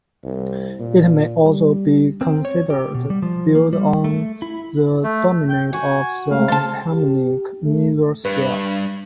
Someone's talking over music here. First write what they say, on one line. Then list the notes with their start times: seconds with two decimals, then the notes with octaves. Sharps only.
It may also be considered built on the dominant of the harmonic minor scale.
0.24 C2
0.79 A#2
1.45 G3
2.21 C4
2.45 C#5
2.70 G4
2.94 B2
3.10 G3
3.22 F3
3.55 A#3
3.73 G3
4.04 A3
4.42 E4
5.04 A3
5.49 G5
5.73 F#4 G#5
6.31 G#3 A3 F5
6.48 C#3 C5 A5 A6
6.90 G4
7.64 A3
8.25 G2 B4